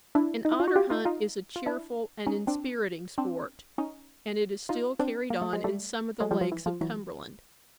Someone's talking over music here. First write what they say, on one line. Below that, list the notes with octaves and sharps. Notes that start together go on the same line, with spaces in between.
An otter-hunt is a cheerful and inspiriting sport, and it is still carried on in some of the lakes of Cumberland.
D4 E4
D#4
E4
F4
F#4
F4 G4
D#4 F4
D#4 F4
F4
D4 E4
C#4 D#4
C4 D4
C4 D4
C#4 D#4
D#4 F4
C4 D4
A#3
A3
G#3
G3 A3
F#3 G#3
F3 G3
F3
E3
F3
E3 F#3